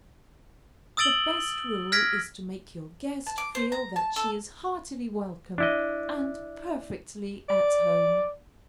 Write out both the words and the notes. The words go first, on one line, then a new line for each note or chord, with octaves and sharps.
The best rule is to make your guest feel that she is heartily welcome, and perfectly at home.
D#6 E6 A6 D7 F#7 G7
F6 G#6 A#6 B6 D7
A5
D6
C5
A#5
A5
A4
D4 E4 D#5
D5